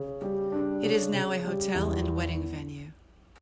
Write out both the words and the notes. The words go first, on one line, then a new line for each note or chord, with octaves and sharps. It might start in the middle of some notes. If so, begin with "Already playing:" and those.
It is now a hotel and wedding venue.
Already playing: C#3
G3
D4
C#3
C#3
G3
E2